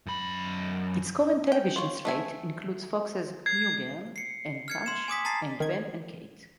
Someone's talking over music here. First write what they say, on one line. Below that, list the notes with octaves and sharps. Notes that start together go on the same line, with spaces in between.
Its current television slate includes Fox's "New Girl", and "Touch" and "Ben and Kate".
F#2 B5
G5
F4 C#5
A3 E5 G#5
G#6 C7
C7 C#7
F6 G#6 C#7
C6 E7
G#5 D6 D#6 B6
A5 A#5 D#6 A6 C7
D#3 G#6